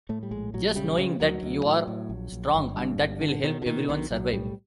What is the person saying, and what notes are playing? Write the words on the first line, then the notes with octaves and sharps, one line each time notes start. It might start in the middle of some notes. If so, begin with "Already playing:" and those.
Just knowing that you are strong and that will help everyone survive.
A2 A3
G3
A#1 G#3
A#1 F#3
C#3 G3
C#3
D2 F#3
D2
A2
A2
A#1
A#1
G1
G2
G1
D3
B2 D#3
D3
B2 D#3
B1 D#3
B1 F#3
A2 G3